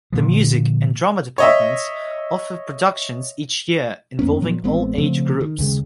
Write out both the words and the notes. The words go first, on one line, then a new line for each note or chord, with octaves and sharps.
The Music and Drama departments offer productions each year involving all age groups.
A#2 D3 F3
C#5 D#5 E5
F2 A#3 B3 C#4
A#2 F3 F#3 B3
A1 G#3 B3 C4
C#3 F3 A3 C4
D#3
D#2 C#3 G#3